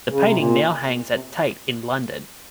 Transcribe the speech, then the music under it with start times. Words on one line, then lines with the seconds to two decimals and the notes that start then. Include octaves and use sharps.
The painting now hangs at Tate in London.
0.10 C#3
0.22 C3
0.35 A#2
1.14 C3